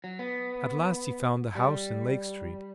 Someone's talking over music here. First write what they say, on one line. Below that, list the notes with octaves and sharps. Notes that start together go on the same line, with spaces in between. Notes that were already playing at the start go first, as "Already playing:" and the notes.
At last he found the house in Lake Street.
F#3
B3
G3